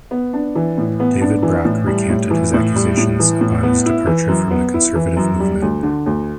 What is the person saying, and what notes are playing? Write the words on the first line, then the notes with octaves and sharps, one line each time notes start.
David Brock recanted his accusations upon his departure from the conservative movement.
B3
D4
E3
A2
B3
D4
E3
A2
G3
A2
E3
A2
G3
A2
E3
A2
B3
E4
E3
F#2
B3
E4
E3
F#2
G3
D2
D3
D2